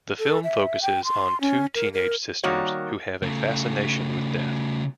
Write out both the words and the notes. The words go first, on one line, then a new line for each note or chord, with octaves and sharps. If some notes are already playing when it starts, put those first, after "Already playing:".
The film focuses on two teenage sisters who have a fascination with death.
A4
E5
G5
C6
C#4
A#4
A#4
D#3 G3 A#3 F#4 C#5
C#3 A3